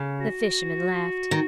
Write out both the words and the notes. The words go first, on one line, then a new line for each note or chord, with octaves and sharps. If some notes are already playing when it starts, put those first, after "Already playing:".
The fisherman laughed.
Already playing: C#3
F#4
D#3